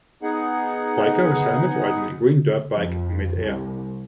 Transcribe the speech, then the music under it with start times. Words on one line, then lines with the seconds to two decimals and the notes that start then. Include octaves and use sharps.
Biker with helmet riding a green dirt bike midair.
0.23 B3 D#4 G#4 F#5
2.75 F2
3.37 C2